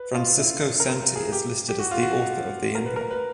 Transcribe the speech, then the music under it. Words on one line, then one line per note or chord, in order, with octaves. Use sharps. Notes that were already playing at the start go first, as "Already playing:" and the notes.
Francisco Santi is listed as the author of the emblem.
Already playing: B4
F4
E4
A#4
G#4
G4
G4
F#4
F4
F#4
A#4
B4
A#4
B4